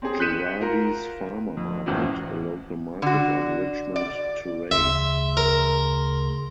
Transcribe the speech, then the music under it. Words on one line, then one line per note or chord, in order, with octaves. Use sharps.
Gerardi's Farmer Market, a local market on Richmond Terrace.
C4 C#4 G4 G#4
F#6 G6 B6 C#7 D#7 E7
F4 A#4 A#5
F2
F#1 C#2 A2 E3 C#4 F#4
D3 F#4
D5
D2 C#3 E5 C6
A#4